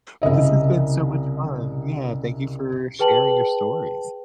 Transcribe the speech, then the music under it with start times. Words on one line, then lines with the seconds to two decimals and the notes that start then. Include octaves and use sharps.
but this has been so much fun, yeah, thank you for sharing your stories.
0.22 C2 C#3 D#5 E5
2.99 G#4 B4 G5 A5 F#7